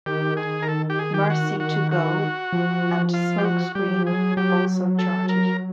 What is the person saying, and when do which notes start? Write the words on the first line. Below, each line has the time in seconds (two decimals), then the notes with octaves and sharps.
"Mercy to Go" and "Smokescreen" also charted.
0.06 D#3 G4
0.37 G#4
0.62 A#4
0.68 A4
0.90 G4
0.99 G#4
1.14 G4
1.30 F#4
1.60 F#4
1.92 F#4
2.53 F3
3.14 F4
3.38 G4
3.44 F#4
3.75 G3 G4
3.88 F#3
4.01 F3
4.06 G#4
4.13 F#3
4.37 F#3 G4
4.99 A4
5.29 A#4